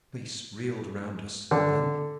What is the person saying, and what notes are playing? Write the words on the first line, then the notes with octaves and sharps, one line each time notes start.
Space reeled round us, and then....
D3